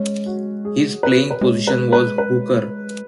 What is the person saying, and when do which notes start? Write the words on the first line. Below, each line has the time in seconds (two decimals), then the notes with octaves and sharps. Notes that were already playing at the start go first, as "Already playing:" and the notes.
His playing position was hooker.
Already playing: G#3 C#4
0.26 F#4
0.65 G#4
1.03 B4
1.31 B4
1.41 G#3 C#5
1.67 B4
1.93 B4
2.18 B4